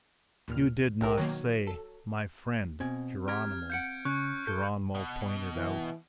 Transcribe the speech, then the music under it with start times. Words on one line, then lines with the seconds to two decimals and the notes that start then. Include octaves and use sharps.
"You did not say, 'My friend, Geronimo,'" Geronimo pointed out.
0.48 D#2 A#2 F6
1.01 B1 G4 A#4
1.18 B2 D#3 F#3 A#3
1.67 A4
2.80 B2 C4 G#5
3.28 G4 A#5 F6 G#6
3.70 F5 F#5 G6 C#7 D7
4.05 C#3 C#4 C#6 F#6
4.47 A4 G6
4.95 B2
5.56 E3